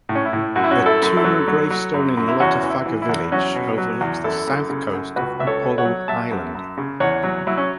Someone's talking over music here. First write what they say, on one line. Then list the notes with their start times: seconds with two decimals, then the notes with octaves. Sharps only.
Her tomb and gravestone in Lotofaga village overlooks the south coast of Upolu island.
0.09 A2
0.15 C#4
0.26 E4
0.33 A2
0.56 F#2 F#4
0.64 E4
0.71 C#4 F#4
0.79 F#2
0.86 E4 A4
1.02 F#2
1.17 E4 A4
1.24 F#3
1.48 F#3
1.70 F#3
1.94 F#2
2.17 F#2
2.28 E4
2.40 E2 C#4 F#4
2.63 E3
2.70 E4
2.86 E3
3.02 E4
3.09 E2
3.32 F#3 C#4 F#4
3.55 B2
3.78 F#3
4.01 E2
4.24 F#2 E4 A4
4.47 F#2
4.70 C#3
4.93 F#2
5.16 C#2 F#4 B4
5.40 C#2 E5
5.47 A4 C#5
5.62 B2
5.78 C#5 F#5
5.85 F#3
6.08 F#3 E5 A5
6.31 F#2
6.55 F#2
6.78 C#3
7.00 E2 C#5 F#5
7.23 F#3
7.47 F#3 E4
7.57 C#4